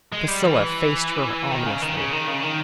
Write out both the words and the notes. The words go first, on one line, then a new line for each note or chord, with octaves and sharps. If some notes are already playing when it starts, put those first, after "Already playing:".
Priscilla faced her ominously.
G#3
G3
E3
D#3
C#3
D#3
C#3
D#3
C#3
D#3